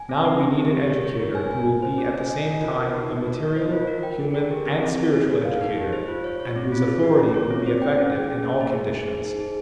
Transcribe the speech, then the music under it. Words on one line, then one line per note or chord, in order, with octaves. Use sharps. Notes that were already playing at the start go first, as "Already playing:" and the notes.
Now we need an educator who will be at the same time a material, human and spiritual educator, and whose authority will be effective in all conditions.
Already playing: G#5
C4
D#4
C4
G4
G4
C#5
C#5
A#4
G#5
G#5
G#5
C5
C#4
G#5
D#5
A#4
F4
A#4
D#4
D#4
A#4
D#5
C5
F4
A#4
G5
G#4
A#4
G4
C4
C4
G#4
G#4
A#4
F5
D#4
G4
C5
F4
C#5
C#5
C4
F4
G#4
D#4
C#4
C#5
C4
C5
G5
C#4
G#4
C#4
A#3
G#4
G#4
G#4
C5
D#4
G#4